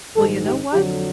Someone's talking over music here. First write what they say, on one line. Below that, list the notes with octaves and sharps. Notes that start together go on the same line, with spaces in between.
"Well, you know what?
A#1 G#2 D#3 G#3 A4
G4
F2 D3 F#3 G4